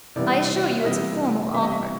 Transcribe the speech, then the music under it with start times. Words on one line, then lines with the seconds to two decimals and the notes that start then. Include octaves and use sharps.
"I assure you it's a formal offer."
0.16 C3 E3 G3 B3 E4 D5
0.80 E5
0.85 C3 E3 G3 B3 E4 D#5
1.54 C3 E3 G3 B3 E4 E5
1.63 D#5
1.72 E5